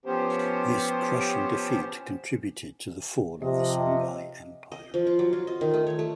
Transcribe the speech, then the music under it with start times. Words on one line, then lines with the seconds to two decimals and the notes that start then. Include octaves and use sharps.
This crushing defeat contributed to the fall of the Songhai Empire.
0.06 F3 B3 C#4 G4 C5
3.42 C3 F3 D#5
4.72 D#5
4.94 F3
5.07 F4
5.19 F#3
5.33 F4
5.47 D#5
5.61 D#3
5.74 A3
5.87 C#5
5.99 A3